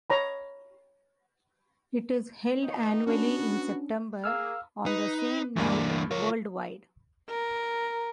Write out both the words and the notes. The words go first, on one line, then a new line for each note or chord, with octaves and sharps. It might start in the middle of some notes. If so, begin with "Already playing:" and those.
It is held annually in September on the same night worldwide.
C#5 A#5 B5
D#3 B3 D#4
B3 C#4 D4 F#4
A#3 G#4 F5 E6 F6
D#4 B4
D2 G2 E3 A#3 D4
F4 A#4 C#5
A#4